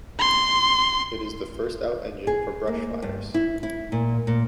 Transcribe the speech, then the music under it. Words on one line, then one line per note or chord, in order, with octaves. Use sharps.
It is the first out engine for brush fires.
C6
G#4
A#3
G2
E4
E4
A#2
A#2